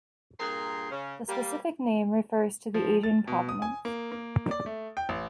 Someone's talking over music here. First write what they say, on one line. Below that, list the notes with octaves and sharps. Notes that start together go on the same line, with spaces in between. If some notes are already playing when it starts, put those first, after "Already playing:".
The specific name refers to the Asian provenance.
G2 A#2 G#4 A#4 G5 C6
C#3 C#4
G3 A#3
F3
A6
B2
D#6
G#5
A#3
A#3
D5
A3
G5
A1